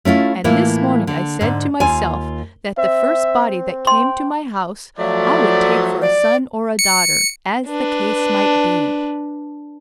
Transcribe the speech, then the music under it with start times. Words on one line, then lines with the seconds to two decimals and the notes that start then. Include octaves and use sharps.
And this morning I said to myself that the first body that came to my house I would take for a son--or a daughter, as the case might be.
0.05 A3 C#4 E4 F4
0.44 A2 E3 A#3 E4 F4
1.07 D3
1.41 G#2 D3
1.80 D#2 F4 G#5
2.78 C4 E5
3.87 G5 C6
4.99 F3 F#3 A3 D5
6.02 D5
6.79 C#7
7.67 D4 B4